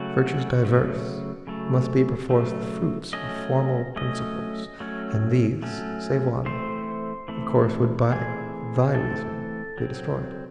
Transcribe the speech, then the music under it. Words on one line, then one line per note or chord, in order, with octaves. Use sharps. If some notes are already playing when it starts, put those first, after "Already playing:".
Virtues diverse must be perforce the fruits Of formal principles; and these, save one, Of course would by thy reasoning be destroyed.
Already playing: C#3 F#3 A3 F#4
C#3 F#3 A3
C#3 F#3 A3
C#3 F#3 A3
F#3 A3 C#4 D#5
F#3 A3 C#4 D#5
F#3 A3 C#4
F#3 A3 C#4
E3 A3 C4 C5
E3 A3 C4
E3 A3 C4 G#4
E3 A3 C4 A4
F#3 C4